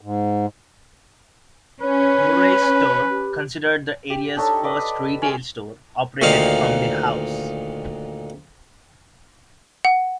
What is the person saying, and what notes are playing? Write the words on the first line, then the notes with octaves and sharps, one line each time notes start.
Murray's store, considered the area's first retail store, operated from the house.
G#2
C#4 B4 C#5
G4
G4
D4 D#4 A4 C#5
B4 D5 D#5
G#3 C#4
D2 A#2 D#3 D#4 F5
F#5